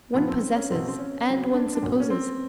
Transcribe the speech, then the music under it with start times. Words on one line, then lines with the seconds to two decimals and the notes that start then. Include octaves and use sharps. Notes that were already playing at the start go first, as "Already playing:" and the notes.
One possesses and one supposes.
0.14 A#2 F3 B3
0.28 C4
0.43 C4
0.56 C#4
0.70 B2 F#3 C4
0.88 C4
0.99 C#4
1.26 C#3 F#3
1.54 D4
1.75 D4
1.82 A#2 F#3 C#4
2.00 C#4
2.10 C4